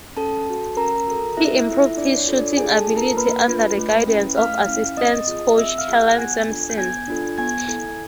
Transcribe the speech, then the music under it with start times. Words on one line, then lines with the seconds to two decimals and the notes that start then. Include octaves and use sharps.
He improved his shooting ability under the guidance of assistant coach Kellen Sampson.
0.17 C#4 A4 A5
0.47 F#4 A4
0.77 C#4 A#4 A#5
1.07 F#4 A4
1.37 C4 E4 E5
1.57 E4 E5
1.67 F4 A4
1.77 E4 E5
1.97 C4 D4 D5
2.17 C#5
2.27 F4 A4
2.37 D4 D5
2.57 A#3 G#4 G#5
2.78 A4 A5
2.87 D4 F4
2.97 A#4 A#5
3.17 A#3 B4 B5
3.48 D4 F4
3.78 A3
4.07 C#4 E4
4.37 A3 F5 F6
4.67 C#4 E4
4.97 C4 D#5 D#6
5.28 F4 G#4
5.58 C4 E5 E6
5.78 F5 F6
5.88 F4 G#4
5.98 F#5 F#6
6.18 B3 G#5 G#6
6.49 D4 F4 A4
6.69 G6
6.78 B3 G#5 G#6
7.08 D4 F4 A4
7.38 B3 G#5 G#6
7.68 E4 A4